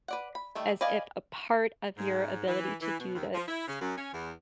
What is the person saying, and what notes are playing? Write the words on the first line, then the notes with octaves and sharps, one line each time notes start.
as if a part of your ability to do this
B4 D5 F#5
B5
D#3 G3 A3
B4 D5 D#5 F5 G#5
G#2
E3
E3
B2
D#2
F3
E4
C#3
F#2
C#4
E2